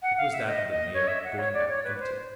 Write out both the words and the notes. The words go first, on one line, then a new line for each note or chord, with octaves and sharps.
It was that of the mayor, going back empty.
F#5
F5
E5
D#5
D#5
C#5
E5
F#5
C#5
D5
C#5
B4
C5